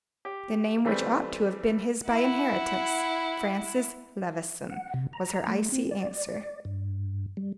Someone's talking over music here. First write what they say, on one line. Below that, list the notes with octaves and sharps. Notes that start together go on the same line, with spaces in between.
"The name which ought to have been his by inheritance--'Francis Levison,'" was her icy answer.
G4
E3 G3 A3 C4
E4 F#5
F#5
C3
A#5
A3
C4
D5
G2
G3